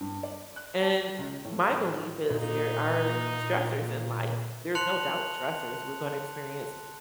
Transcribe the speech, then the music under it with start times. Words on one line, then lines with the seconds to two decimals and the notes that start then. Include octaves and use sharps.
And my belief is there are stressors in life, there's no doubt stressors, we're gonna experience
0.01 G2
0.23 D5
0.56 F#6
0.82 A5
1.18 C#2
1.44 A2
2.30 A#2 D#4
4.75 A5 C6 F#6 C#7 F7 F#7